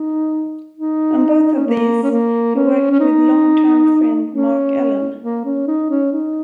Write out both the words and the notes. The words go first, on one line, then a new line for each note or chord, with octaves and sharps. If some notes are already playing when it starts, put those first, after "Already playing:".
On both of these he worked with long term friend Mark Ellen.
Already playing: D#4
D#4
C#4
A#3
C#4
A#3
C#4
C#4
D#4
C#4
A#3
C#4
D#4
C#4
D#4